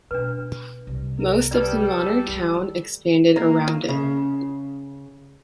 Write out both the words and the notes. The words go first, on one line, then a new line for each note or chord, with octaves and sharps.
Most of the modern town expanded around it.
B2 D4 B4
C2
A#4
G3 A4 B4 D5
D#3 A3
A#3
C#3